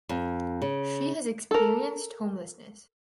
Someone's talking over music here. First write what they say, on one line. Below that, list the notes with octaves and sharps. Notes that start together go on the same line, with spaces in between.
She has experienced homelessness.
F2
C#3
A4 A#4